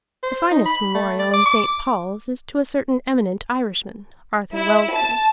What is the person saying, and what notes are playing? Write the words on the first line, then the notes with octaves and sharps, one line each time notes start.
The finest memorial in Saint Paul's is to a certain eminent Irishman, Arthur Wellesley.
C5
D#4
B5
A3
D5
D6
D6
E4
A5